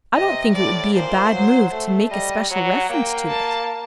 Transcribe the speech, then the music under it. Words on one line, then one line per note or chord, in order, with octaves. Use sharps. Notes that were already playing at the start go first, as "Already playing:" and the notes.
I don't think it would be a bad move to make a special reference to it.
C3 D#5
A2 D5
A#2 C5
F#3
A3
G3 D#5
F#3 F#5
A#3 G5
A5